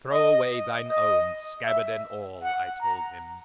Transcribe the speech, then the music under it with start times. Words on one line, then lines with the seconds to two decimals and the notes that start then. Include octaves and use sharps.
"Throw away thine own, scabbard and all," I told him.
0.12 D#5
0.89 D#5
1.66 E5
2.43 F#5
2.81 A#5